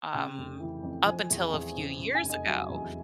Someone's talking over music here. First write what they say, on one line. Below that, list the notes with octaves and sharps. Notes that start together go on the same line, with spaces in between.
um, up until a few years ago,
C#3 G5
F1
E3
F2
F3 G#5
E2
E2
C#3
C#3
G#5
F1
D#5
F#3 E5
E2